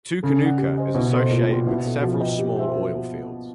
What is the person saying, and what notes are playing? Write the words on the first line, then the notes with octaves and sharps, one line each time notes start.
Tookoonooka is associated with several small oil fields.
C#3 A4
D5 F#5
G4
C5 D#5 G#5
B2 E4
A4 C5 D#5
A#2 B4
B2 D5 G5 C6
B2 E4
A4 C#5 E5
F3 F#4
B4 D#5 G5
G4
C5 E5 G5
F#4